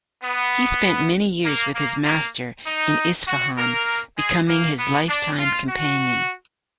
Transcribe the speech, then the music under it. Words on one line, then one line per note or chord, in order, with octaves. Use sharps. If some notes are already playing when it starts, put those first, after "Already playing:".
He spent many years with his master in Isfahan, becoming his lifetime companion.
B3
A#3
A#3
A#3
D#4
F#4
A#3 A#4
G#3 G#4
A#3
B3
D4
F4
F#4